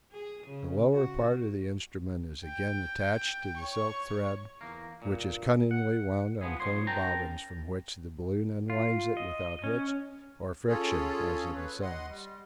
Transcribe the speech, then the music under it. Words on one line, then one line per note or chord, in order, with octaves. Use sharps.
The lower part of the instrument is again attached to the silk thread, which is cunningly wound on coned bobbins from which the balloon unwinds it without hitch or friction as it ascends.
G#4
C#3
F#4
G5
C#5 C#6
E2 A#3
G2 A#2
F#5
C2 F3 B3 G#4
B1 F2 C3 C5 C#5 C6
C#4 A#4 G5 A5 A#5
F4
D#5
C#4
C#4 F4 G#4 A4 C#5
B4 C#5
D#5 F#5 C6
G3